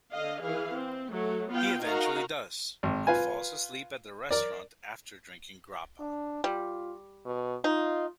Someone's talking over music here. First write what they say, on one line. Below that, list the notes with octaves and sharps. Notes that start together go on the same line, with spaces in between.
He eventually does, but falls asleep at the restaurant after drinking grappa.
D3 D#5 F5
E3 G#4 F5
C4
F#3 A3
B3 F4 F5 G5
D#4 F#4 A#4 F5 A#5
G#1
F4 B4 G#5
A#4 D5
D4
G3 F4
B2
D#4 F4